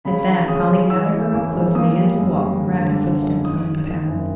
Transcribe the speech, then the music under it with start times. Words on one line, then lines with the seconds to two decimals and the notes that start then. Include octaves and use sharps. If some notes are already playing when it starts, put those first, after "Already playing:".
At that Polly gathered her up close and began to walk with rapid footsteps up the path.
0.05 C#3 B5
0.26 E3
0.48 C#3 D#6
0.69 C#3
0.90 E3 E6
1.11 E3
1.32 E2
1.54 E1
1.75 A#3 D#6
1.96 G3
2.18 F#2
2.38 G3
2.59 D3
2.81 D3
3.03 D3
3.23 F#2
3.44 D#3 D#6
3.65 D#3
3.87 D#3
4.08 F#1